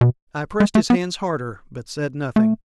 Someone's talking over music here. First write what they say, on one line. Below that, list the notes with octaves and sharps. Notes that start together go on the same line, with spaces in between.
I pressed his hands harder, but said nothing.
B2
G#3
A3
B3
A3